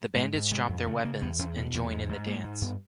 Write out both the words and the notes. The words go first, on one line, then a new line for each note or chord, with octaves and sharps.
The bandits drop their weapons and join in the dance.
G#2 G#3
G#2
C3 G#3
F2
C#3 A3
C#3 A#3
E2 B3
E2 C#4
B2 B3
E2 A#3
G#2 G#3
G#2 A3
G#2 A#3
G#2
G2 B3